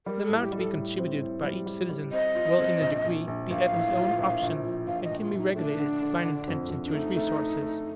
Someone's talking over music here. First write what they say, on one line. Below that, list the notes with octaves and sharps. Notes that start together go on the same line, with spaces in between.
The amount to be contributed by each citizen will in a degree be at his own option, and can be regulated by an attention to his resources.
G3 A#4
A4
A2
G4
G3
A4
A2
C4
A2
G3
G3
G3
C4 D#5
F4
C4
A#1
A#1
A#1
A#1 F5
A2
F3
A#1
A#1
F3
A#1 F5
D#5
A#1
F4
A#1
D#4
A3 D4
D3
D3
D3
F2
F2
D4
A3 D#4
A3
A3
A3